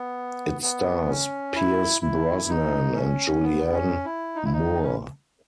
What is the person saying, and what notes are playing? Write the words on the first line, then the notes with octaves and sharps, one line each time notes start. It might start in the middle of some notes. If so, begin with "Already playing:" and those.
It stars Pierce Brosnan and Julianne Moore.
Already playing: B3
B3
C#4
E4
E4
D#4
C#4
B3
C#4
E4
D#4
E4
D#4
C#4